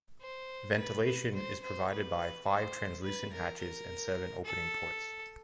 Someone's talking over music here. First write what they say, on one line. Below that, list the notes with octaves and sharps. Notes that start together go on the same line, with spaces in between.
Ventilation is provided by five translucent hatches and seven opening ports.
C5
B4
B4
C5
C5
B4
C5
B4
A#4
A#4
A4